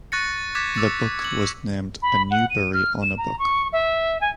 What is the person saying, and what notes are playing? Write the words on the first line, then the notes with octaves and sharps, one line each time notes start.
The book was named a Newbery Honor book.
C#6 F#6 A6 A#6 C#7
D6 F#6 G#6 A6 B6 E7
D6 E6 A6 C#7
G#6 F#7
B5
F#5
D#7
F6
E7
A#5
C#6
E5
G#5